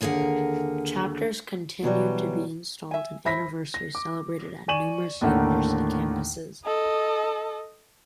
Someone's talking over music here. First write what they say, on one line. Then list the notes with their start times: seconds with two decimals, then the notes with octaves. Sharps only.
Chapters continue to be installed and anniversaries celebrated at numerous university campuses.
0.01 D#2 D3 G#4 A#4 F#5
1.83 B2 E3 F#3 G3
2.91 E5 G#5
3.25 C5 E5 B5 A#6 B6
3.74 A#6
3.95 D6
4.68 D5 G#5 C#6 D#7 E7 F#7
5.21 D#2 A2 D3 A3 A#3 F#5
6.65 A4 D#5